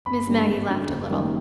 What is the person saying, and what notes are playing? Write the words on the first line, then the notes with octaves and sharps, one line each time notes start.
Miss Maggie laughed a little.
G1 B5
G2 D3 G3 A#3
G#1
F#2 D3 F#3
F#1
F#2 D#3 G3 A#3